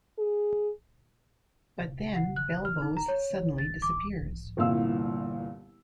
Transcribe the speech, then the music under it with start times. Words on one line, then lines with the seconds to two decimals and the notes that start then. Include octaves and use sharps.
But then, Belboz suddenly disappears.
0.18 G#4
2.16 F#5
2.36 F#6
2.65 F6
2.82 D#4
2.97 A#5
3.08 C#5
3.58 A6
3.82 D6
4.57 G1 C2 A#2 E3 F5 E6